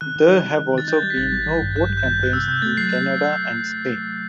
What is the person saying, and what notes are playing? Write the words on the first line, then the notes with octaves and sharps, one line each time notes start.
There have also been no vote campaigns in Canada and Spain.
D#3 F#6
D#3
D#4
G3
D#3
D#3 A6
D#4 G6
G3 A6
B6
A1 A6
G3
D#3
G2
A1 G6
G3
G6
D#3 A6
G2 F#6
C3 E6
C3 G6
A3 A6
F#3 C7